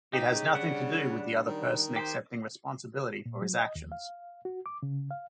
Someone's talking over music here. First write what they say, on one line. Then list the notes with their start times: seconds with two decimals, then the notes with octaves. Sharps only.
It has nothing to do with the other person accepting responsibility for his actions.
0.13 D#4 G4
0.34 C#3
0.55 G3 D4 F#5
1.46 D#3
1.96 G4 C5
3.26 A#2
3.42 F#3
3.59 D#5
3.76 D#2
3.92 F5
4.45 F#4
4.66 D6
4.83 C#3
5.11 F5